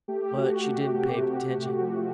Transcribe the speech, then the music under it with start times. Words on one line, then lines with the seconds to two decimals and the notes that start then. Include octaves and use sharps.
But she didn't pay attention.
0.08 A3 G4
0.37 F#4
0.51 A3
0.66 G4
0.94 C3 G4
1.37 C3 G4
1.80 F3